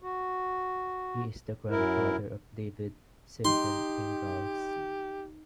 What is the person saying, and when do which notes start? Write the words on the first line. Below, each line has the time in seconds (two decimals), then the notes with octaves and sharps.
He is the grandfather of David Sinton Ingalls.
0.02 F#4
1.70 F#2 E4 A#4
3.45 D#4 G4 C6